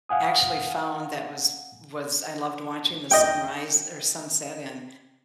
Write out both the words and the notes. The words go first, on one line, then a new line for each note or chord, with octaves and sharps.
actually found that was was I loved watching the sunrise or sunset in
F5 F#5 G#5 D#6
D#5 G5